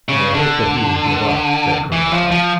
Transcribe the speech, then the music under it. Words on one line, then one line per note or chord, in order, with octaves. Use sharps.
"I had hoped that he would give up," said Colonel Talbot.
C#3
D3
E3
F3
F3